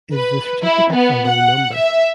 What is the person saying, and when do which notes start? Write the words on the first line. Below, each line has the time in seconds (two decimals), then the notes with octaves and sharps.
Is the certificate a low number?
0.14 B4
0.63 E4
0.94 B3
1.29 F#5
1.75 E5